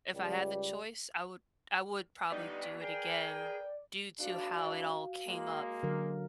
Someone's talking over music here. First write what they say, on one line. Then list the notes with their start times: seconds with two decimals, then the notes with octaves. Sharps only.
if I had the choice, I would I would probably do it again, due to how it all came up
0.14 C#2 G3
2.31 G3 B3 D#4 G4 D5
2.81 G#4 A#4 B4 G5
4.19 G#1 D4 F#4 F5
5.27 G#3 A#3
5.83 D3 F#3 A#4